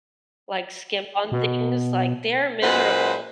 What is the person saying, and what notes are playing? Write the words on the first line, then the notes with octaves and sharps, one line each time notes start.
like, skimp on things, like, they're miserable
B2
F#2 A#2 G#3 B4 C5 F#5